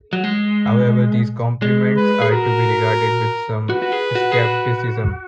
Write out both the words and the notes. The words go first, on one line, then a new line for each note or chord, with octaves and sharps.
However, these compliments are to be regarded with some skepticism.
F#3
G#3
G#3
B4
G#4
F#4 A#4
F#4 B4
F#4
G#4
F#4
G#4
F#4